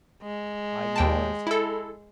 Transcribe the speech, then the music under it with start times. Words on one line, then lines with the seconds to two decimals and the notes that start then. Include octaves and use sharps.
I ignore it.
0.23 G#3
0.96 D#2 G5 A5
1.47 E4 A4